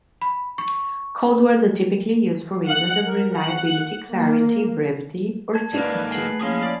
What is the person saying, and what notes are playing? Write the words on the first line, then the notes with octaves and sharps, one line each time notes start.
Code words are typically used for reasons of reliability, clarity, brevity, or secrecy.
B5
C#6
F#5
A#4
F#5
A#3
A5 G#6
G#2 A#3 B4 D5
G#4 B4 F#5 G#5 A#6 C7 D7 F#7
A3
F3 A#3 C#4 E4 G#4 F5 C6
D5